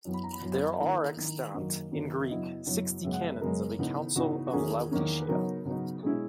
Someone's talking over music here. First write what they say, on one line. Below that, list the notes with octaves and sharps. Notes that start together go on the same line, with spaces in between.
There are extant, in Greek, sixty canons of a Council of Laodicea.
F#2 E3 B3
B5
A#5
B5
F#2 E3 B3
D#3 A#3 E4 A#5
D#3 A#3 E4
F#2 D#3 F#3 A#3 C#4 D#5
F#2 D#3 F#3 A#3 C#4
E5
F#2 C#3 F#3 B3 E4 D#5
F#2 C#3 F#3 B3 E4
F#2 C#3 G#3 B3 E5
F#5
E5
B4
F#2 C#3 G#3 B3 A#4
C#3 E3 B3 D#4
C#3 E3 B3 D#4 F#4
F#4
E2 D#3 A#3 C#4 G#4
E2 D#3 A#3 C#4
B4
C#3 F#3 B3 D#4 A#4
C#3 F#3 B3 D#4
B2 G#3 C#4 E4 G#4